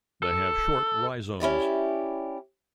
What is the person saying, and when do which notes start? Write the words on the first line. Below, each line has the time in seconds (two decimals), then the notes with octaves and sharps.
They have short rhizomes.
0.23 A4
1.40 C#4 E4 G4 D5